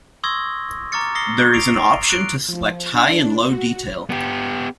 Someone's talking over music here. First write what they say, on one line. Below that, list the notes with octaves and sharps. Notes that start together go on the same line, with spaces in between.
There is an option to select high and low detail.
C6 C#6 D#6 E6 G#6 A#6
A#5 C#6 D6 F6 A6 C#7
D#6 A#6 C7 C#7 G7
C#6 C7 D7 F7
F#6 D7
F3
D4
F#4
B3 G4